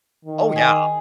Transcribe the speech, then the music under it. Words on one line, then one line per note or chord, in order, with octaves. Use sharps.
Oh, yeah.
D#3
G#4